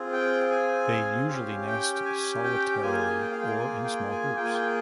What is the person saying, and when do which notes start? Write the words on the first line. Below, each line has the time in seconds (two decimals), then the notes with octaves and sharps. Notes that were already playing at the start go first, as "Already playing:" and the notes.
They usually nest solitarily or in small groups.
Already playing: C4 F4 G#4
0.12 G5
0.51 G#5
1.28 C#4 G4 F5
1.67 G5
2.05 G#5
2.44 G5
2.82 A#3 F4 G#4 G#5
3.21 G5
3.31 F5
3.41 G5
3.59 G#5
3.84 G5
4.11 G#5
4.36 A#3 F4 G#4 G5
4.45 G#5
4.53 G5